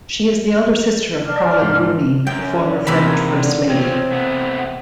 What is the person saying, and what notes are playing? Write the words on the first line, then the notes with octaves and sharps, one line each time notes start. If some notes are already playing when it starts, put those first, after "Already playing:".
She is the elder sister of Carla Bruni, the former French First Lady.
D4 D5 F6
G#2
F#2 G5
D3
C3 D#3 E3 G#3 A#3 B5
D3
C4 F4 C#5 D#5
A3 B3